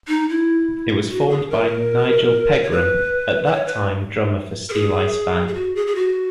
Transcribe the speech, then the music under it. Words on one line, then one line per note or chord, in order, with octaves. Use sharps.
It was formed by Nigel Pegrum at that time drummer for Steeleye Span.
D#4
E4
F#4
G#4
A#4
C#5
B4
B4
C#5
B4
A#4
G#4
G#4
F#4
G#4
G#4
F#4